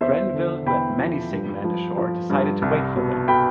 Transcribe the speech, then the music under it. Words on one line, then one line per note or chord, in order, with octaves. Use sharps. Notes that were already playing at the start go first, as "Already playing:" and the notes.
Grenville who had many sick men ashore decided to wait for them.
E2 C5 E5
D3
E2 G5 B5
F3
G2
F3
F3
G2
C2
B2
B2 G5 B5